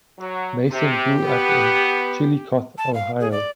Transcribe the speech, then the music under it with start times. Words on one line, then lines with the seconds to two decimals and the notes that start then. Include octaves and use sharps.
Mason grew up in Chillicothe, Ohio.
0.19 F#3
0.71 C3 G4
1.25 B3
2.78 A5
2.94 F5
3.20 G#4
3.32 D5